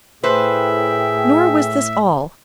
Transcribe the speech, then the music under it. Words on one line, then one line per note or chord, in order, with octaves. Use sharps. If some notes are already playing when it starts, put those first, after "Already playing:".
Nor was this all.
A2 G#4 B4 C5 E5 G5